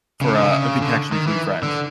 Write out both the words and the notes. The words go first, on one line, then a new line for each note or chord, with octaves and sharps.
for a a good connection between friends.
C#3
D3
C#3
D3
D#3
E3
D3